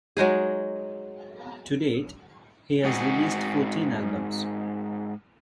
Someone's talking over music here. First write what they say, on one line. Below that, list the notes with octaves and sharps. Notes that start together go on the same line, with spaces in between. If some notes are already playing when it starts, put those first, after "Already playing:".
To date, he has released fourteen albums.
F#3 G#3 D#4 G#4
G#2 C4 F#4 G#4